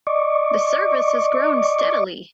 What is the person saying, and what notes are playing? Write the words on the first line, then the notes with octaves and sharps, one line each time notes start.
The service has grown steadily.
D5 D#5 C#6 D6